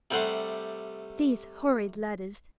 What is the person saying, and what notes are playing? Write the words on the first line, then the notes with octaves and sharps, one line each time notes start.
These horrid ladders.
C3 G3 A3 F#5 C6